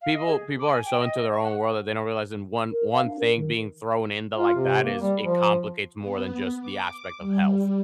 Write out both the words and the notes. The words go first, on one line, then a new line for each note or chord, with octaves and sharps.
people people are so into their own world that they don't realize in one one thing being thrown into like that is it complicates more than just the aspect of health.
F5
D#5
G#4
D6
G#5
G5
D#5
D#5
C#6
F#5
A#4
F5
D4
A#4
D#3
F4
C3
A#3
G3
F3
B3
D6
G3